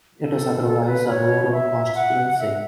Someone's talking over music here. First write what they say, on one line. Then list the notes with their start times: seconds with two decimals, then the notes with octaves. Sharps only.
It is otherwise a rural constituency.
0.20 A4
0.64 A4
0.81 C#5
0.86 B4
1.08 C#5
1.52 E5
1.94 F#5
2.39 E5